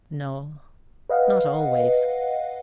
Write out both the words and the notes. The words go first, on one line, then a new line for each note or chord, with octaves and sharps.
"No, not always."
B4 D#5 F5 F#5